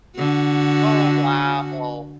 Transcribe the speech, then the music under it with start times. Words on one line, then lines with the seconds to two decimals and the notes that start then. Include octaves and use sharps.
Oh wow! Oh,
0.17 D3 F#4